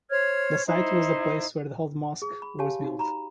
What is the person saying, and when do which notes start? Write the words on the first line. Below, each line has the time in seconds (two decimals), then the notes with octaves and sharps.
The site was the place were the old mosque was built.
0.10 C5 C#5 F6 G#6
0.67 D#4 E4 C5
2.22 G#4
2.42 B5
2.59 G4 C#5 F5 G#5 A5
2.81 D#4 F#4
2.99 A#5 B5